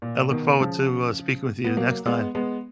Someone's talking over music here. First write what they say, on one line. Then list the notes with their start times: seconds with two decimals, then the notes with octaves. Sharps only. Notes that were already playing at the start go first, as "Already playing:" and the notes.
I look forward to, uh, speaking with you the next time.
0.02 A#2
0.30 B2 D#3
0.60 C#3 F3
1.64 B3
1.77 F#3 A#3
2.06 G#3 B3
2.35 G#3 B3